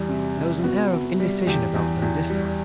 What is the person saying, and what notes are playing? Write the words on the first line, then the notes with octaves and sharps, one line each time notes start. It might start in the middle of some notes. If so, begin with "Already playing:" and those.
There was an air of indecision about them this time.
Already playing: E2 G3
C3
C3
B3 F#4
B3
G3
E2 G4
E2
E2
G3